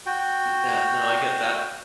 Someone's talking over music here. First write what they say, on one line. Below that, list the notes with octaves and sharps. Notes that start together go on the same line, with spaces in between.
M uh, no. I get that.
F#4 G5